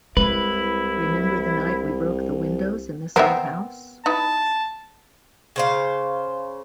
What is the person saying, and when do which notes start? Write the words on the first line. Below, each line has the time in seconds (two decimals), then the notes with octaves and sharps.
Remember the night we broke the windows in this old house?
0.17 C2 G#3 E4 B4
3.16 B3 C4 A#4 C5 E5
4.06 D#4 E4 B4 A5
5.56 C#3 C5 F5